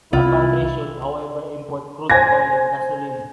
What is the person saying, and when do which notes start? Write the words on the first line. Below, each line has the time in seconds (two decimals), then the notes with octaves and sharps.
The country should however import crude oil and gasoline.
0.13 C2 E4 F4
2.10 C5 G#5 G#6 A#6